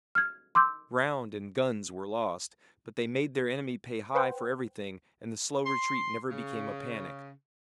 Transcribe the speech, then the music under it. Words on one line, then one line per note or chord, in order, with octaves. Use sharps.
Ground and guns were lost, but they made their enemy pay high for everything, and the slow retreat never became a panic.
F6 G#6
C6 D6 E6 G6
B4 C5 F#5 G5
C6
C#3